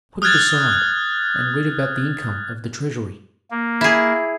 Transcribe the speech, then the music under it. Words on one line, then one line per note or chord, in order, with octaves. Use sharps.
"Put it aside, and read about the income of the treasury."
D#6 F6 F#6 G#6 A6
A#3
E4 G#4